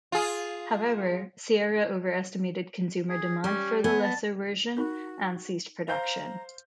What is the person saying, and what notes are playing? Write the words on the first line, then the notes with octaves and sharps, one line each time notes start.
However, Sierra overestimated consumer demand for the lesser version, and ceased production.
F4 G#4
G#4
G3 C#4
B3 G#5
A5
D#4 F#4 A#4
C5 F5 A#5 G6